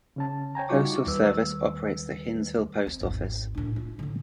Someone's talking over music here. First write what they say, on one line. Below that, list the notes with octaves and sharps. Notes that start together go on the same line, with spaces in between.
Postal Service operates the Hinesville Post Office.
C#3 C#4 A5
C#5 G5 G#5 A#5
G3 D#4 F4 F#4 C#6 D6
D#2 D#3 G3 B4 E6
C4
G#1 E2
A2 D4
F4
A2 D3